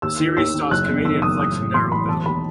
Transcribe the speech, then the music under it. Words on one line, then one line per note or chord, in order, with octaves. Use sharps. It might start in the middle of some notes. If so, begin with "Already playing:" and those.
The series stars comedian Flex and Darryl Bell.
D#2 E6
D#3
D#2 E6
D#3
F#1 F#6
E2
D#3 E6
F#1 D#6
A1 D#6
A2
E3 C6
A1 B5
E1 A5
D#2 B5